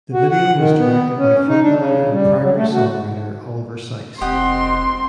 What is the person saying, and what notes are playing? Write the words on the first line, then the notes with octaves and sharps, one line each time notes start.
The video was directed by frontman and primary songwriter Oliver Sykes.
F#4
F#5
D#3
B3
C#4
D#4
D4
C#3
G3
F#3
A3
F#4
F1 C4 G4 D#5 F#5 C6